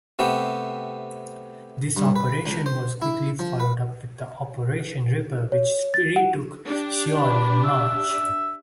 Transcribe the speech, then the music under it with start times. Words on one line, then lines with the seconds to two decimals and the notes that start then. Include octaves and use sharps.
This operation was quickly followed up with Operation Ripper, which retook Seoul in March.
0.19 C3 A3 B3 G4
1.96 G2
2.16 B4
2.46 C#2
2.66 C5
3.02 E4
3.39 F3
3.60 B4
5.52 C#5
5.94 A6
6.16 F#5
6.66 D4 G4
7.21 B4
7.64 E5